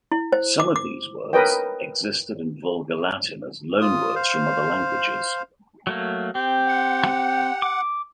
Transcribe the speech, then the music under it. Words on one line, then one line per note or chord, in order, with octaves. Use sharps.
Some of these words existed in Vulgar Latin as loanwords from other languages.
E4
C5
D6
D6
A#4 B4 C#5 D#5 G5
F4 D#6
C5 F5
F#3 A3 A#3
C4 G4
F#5
D6